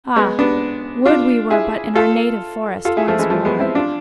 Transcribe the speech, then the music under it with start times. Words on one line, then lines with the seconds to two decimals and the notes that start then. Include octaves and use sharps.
Ah, would we were but in our native forest once more!'
0.16 G#3 B3
0.39 B3 D4
1.05 D4 F4
1.50 E4 G#4
1.95 F4 A4
2.85 F4 A4
2.97 E4 G#4
3.08 F3 A3
3.19 E3 G#3
3.30 F3 A3
3.45 G#3 B3
3.60 C4 E4
3.75 D4 F4